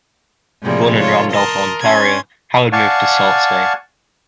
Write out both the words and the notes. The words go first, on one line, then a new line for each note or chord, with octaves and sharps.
Born in Randolph, Ontario, Howard moved to Sault Ste.
A2 C3 F3 G3 G#3 A#3
F4 A4 C#5
A#4 D#5 A5 C6
C#4 C6 G#6
D5 F5 F#5 G#5 A5 C#6